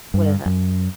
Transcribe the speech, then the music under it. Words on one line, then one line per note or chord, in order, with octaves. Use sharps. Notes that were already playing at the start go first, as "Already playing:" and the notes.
What is it?
G2
F#2